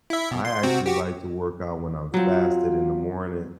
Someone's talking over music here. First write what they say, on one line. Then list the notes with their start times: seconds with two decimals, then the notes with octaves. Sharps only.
I actually like to work out when I'm fasting in the morning,
0.10 E4 E5
0.31 B2
0.45 C6
0.63 C3 C4 F#4
0.86 F#4 G4
2.14 F#3 C4 F4